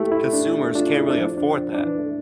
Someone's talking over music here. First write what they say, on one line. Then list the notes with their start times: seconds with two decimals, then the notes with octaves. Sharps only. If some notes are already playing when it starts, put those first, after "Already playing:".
consumers can't really afford that.
Already playing: A3 E4 G4
0.12 E4
0.33 D4
0.76 D4 F4
0.96 E4
1.10 D4
1.18 F3
1.38 D4
1.75 D4
1.82 E3 E4
1.98 A3